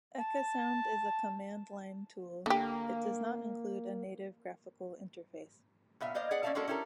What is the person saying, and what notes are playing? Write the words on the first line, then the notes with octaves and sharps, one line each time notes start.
Ecasound is a command-line tool: it does not include a native graphical interface.
A5
D3 A#3 G4
A#2 B3 E5 F5
A#3 C5 D5 D#5 F5
B3 G#4 D5 F#5
A#3 C#4 D5 E5 F5 A5
G#3 A#3 C#4 D4 F#4 A4
C#4 E4 G4 A4 A#4